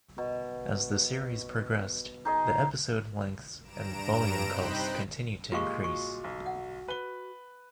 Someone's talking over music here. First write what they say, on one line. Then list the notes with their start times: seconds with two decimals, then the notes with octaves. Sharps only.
As the series progressed, the episode lengths and volume costs continued to increase.
0.18 B2
2.25 D#4 G#4 D#5
3.62 G2 A#5 D7 E7
4.43 C3 D#4 C5 G5 B5 F#6
5.52 A#2 G#3 F4 G4 F5 C#6
5.84 F#4 C#6
6.24 B1
6.46 F#5
6.88 B4 G7